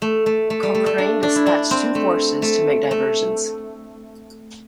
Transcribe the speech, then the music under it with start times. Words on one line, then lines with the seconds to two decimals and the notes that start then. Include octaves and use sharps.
Cochrane dispatched two forces to make diversions.
0.02 A3
0.26 A3
0.50 A3
0.63 G3
0.75 A3
0.86 A3
0.98 D4
1.23 D4
1.36 E4
1.46 D4
1.71 C4
1.95 A3
2.42 A3
2.91 A3